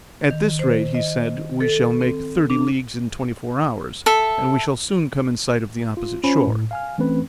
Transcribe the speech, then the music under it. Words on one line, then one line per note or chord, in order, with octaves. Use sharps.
At this rate, he said, we shall make thirty leagues in twenty-four hours, and we shall soon come in sight of the opposite shore.
D#3
C5
D#5
A4
C4
D4
A4 E5
F4
C#4 F4 C5 B5
A2
F5 G#5 F6
E3 A3 C4 C#4 B4